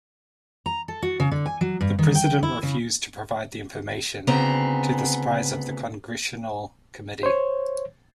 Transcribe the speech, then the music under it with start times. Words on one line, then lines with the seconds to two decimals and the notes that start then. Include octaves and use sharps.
The president refused to provide the information, to the surprise of the Congressional committee.
0.66 A#5
0.88 A4
1.02 F#4
1.20 C#3
1.31 D3
1.46 G#5
1.61 F#3
1.81 G2
1.99 D#3
2.15 G5
2.43 E4
2.63 C#3
4.27 D2 C#3 B3 C4 A#5
7.23 C5 C#5